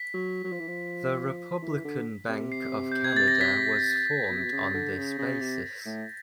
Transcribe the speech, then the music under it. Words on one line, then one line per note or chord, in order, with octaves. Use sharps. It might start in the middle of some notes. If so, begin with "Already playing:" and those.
The Republican Bank of Canada was formed on this basis.
Already playing: B6
F#3
F#3
F3
E3
F3
E3
D3
C3
C7
G6
G#6
A6
A#6
B6
B2
C3
B2
C#3
D3
C#3
C#3 A#6
C3
A2